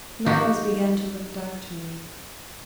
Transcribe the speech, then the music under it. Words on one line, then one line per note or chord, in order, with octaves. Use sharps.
Matters began to look dark to me.
F3 D#4 F#4 G4